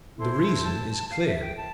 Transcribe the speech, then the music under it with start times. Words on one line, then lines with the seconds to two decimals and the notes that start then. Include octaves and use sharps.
The reason is clear.
0.18 E4 A4 C5 C6
0.34 C6
0.49 C6
0.65 A5
1.11 F5
1.26 E5
1.41 G5
1.57 A5